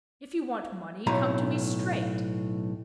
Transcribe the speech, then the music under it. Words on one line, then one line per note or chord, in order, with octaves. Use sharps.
If you want money come to me straight.
B1 A2 A#5